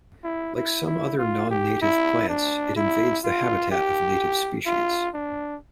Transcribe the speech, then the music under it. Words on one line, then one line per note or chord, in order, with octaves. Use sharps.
Like some other non-native plants, it invades the habitat of native species.
E4
E4
E4
F4
G4
E4
D4
E4
F4
G4
F4
D4